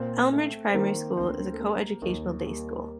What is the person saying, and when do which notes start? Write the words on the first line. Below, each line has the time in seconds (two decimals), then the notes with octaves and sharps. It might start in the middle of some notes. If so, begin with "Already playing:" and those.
Elmridge Primary School is a co-educational day school.
Already playing: A#2 C4 C5
0.32 A3
0.67 C5
0.74 D#3 A#3 A#4
1.17 D2 C4 C5
1.53 A4
1.60 G3 A#3 A#4
2.02 D#2
2.45 G3 A#3 A#4